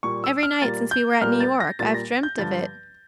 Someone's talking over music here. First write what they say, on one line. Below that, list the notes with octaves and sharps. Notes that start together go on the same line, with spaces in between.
Every night since we were at New York I've dreamt of it....
A#2 G3 A#3 C#6
E6
F6
A#2 G3 A#3 A6
G6
A#2 G3 A#3 F6
A6
A#6
A#2 G3 A#3 A6
A#6
G6
G2 D3 F3 A6